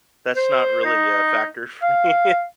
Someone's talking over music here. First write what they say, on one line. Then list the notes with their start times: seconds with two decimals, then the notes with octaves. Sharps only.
that's not really a factor for me.
0.36 C5
0.85 D#4
1.83 F5